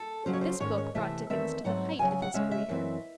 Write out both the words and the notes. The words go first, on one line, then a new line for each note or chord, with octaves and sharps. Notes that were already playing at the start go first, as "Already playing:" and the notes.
This book brought Dickens to the height of his career.
Already playing: A4
C#3 F#3 C#4 C5
C#5
C5
G#2 D#3 G#3 C#4 C#5
C#5
C3 E3 A3 E5
E2 D#3 A3 C4 E5
G#2 F#3 A3 C4 F#5
E2 C#3 F#3 G#5
G#5
F#5
C#3 G#3 C#4 E5
E5
F#2 E3 C4